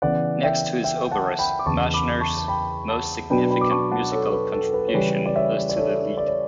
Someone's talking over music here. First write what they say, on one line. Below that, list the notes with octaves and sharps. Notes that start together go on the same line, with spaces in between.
Next to his operas, Marschner's most significant musical contribution is to the Lied.
C#3 E3 B3 D5 F#5
E5 G5
E5 G5
G5
F#5 A5
G5 B5
D6
E2 C#3 E3 A5 C#6
B5 D6
A5 C#6
A5
G5 B5
F#5 A5
B2 F#3 B3 D4 G5 B5
G5 B5
D6
A5 C#6
F#5 A5
A4 C#5
B4
A4
B4
C#5
C#3 E3 G3 C#4 B4 D5
D5
C#5 E5
D5
A4 C#5
D5
C#5